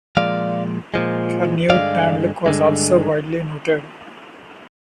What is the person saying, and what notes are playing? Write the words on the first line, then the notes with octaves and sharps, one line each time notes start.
Her new, tanned look was also widely noted.
A#2 F3 G#3 D5 F5
A#2 F3 G#3
G2 D3 G#3 D5 F5
G2 D3 G#3